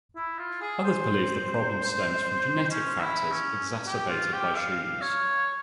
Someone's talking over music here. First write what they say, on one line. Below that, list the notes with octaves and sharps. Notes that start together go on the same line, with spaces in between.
Others believe the problem stems from genetic factors, exacerbated by shoe use.
E4
F4
G#4
C5
C#4
E4
C#4
G4
F4
G4
F5
C#5